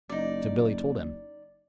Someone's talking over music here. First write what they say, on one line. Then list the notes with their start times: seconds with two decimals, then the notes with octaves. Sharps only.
So Billy told him.
0.09 F#1 D#4 D5